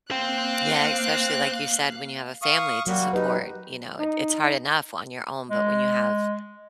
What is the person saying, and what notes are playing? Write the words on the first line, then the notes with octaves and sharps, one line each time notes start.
Yeah, especially, like you said, when you have a family to support, you know, it it's hard enough on your own, but when you have
A#3 C5 F5 G5 F#6
F5 C#6 D#6
F#3 G3 A#3 F#4
D#4 G4 B4
D#4
G#3